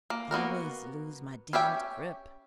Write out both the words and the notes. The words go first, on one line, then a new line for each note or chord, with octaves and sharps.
Always lose my damned grip.
A#3
A#3 B3 F#4 A#4
C#4 G4 E5 G5